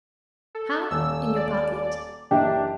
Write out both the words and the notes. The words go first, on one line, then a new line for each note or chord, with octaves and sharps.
"How--in your pocket?"
A4
D#1 E6
D5
F#1 E3 D4 G4 D#5 E5 G5